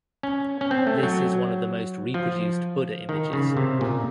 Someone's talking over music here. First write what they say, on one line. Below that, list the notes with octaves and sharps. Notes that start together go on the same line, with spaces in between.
This is one of the most reproduced Buddha images.
C#4
C#4
C4
A3
F#3
F3
D#3
C#3
C3
A#2